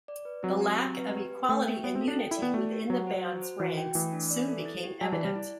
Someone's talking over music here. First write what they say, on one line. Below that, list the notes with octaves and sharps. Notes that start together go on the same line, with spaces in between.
The lack of equality and unity within the band's ranks soon became evident.
D5
B4
F#3 C4
G4
C4
B4
G4
B4
A3 G5
E5
B3 F#4
C4
A4
D4
G5
E4
D5
B3
A3 E4
G4
F#3 F#5
C5
F#4
C5
E3 F#4
G5
E3 A3
D4
D5
A4
E4
G4
F#3 A5
E3
D5
G3
E4